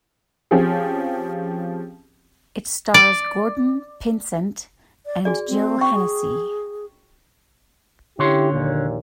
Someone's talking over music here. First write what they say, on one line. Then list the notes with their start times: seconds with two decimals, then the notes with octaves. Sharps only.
It stars Gordon Pinsent and Jill Hennessy.
0.51 F3 C4 C#4 G4 G#4
2.94 D5
5.06 D5
5.25 F#4 G#4 D5 G#5
5.48 C4
5.81 G5 C#6
5.95 G#4
8.19 D3 C#4 E4 G4 C#5 C6
8.52 A#1 D#2 A#2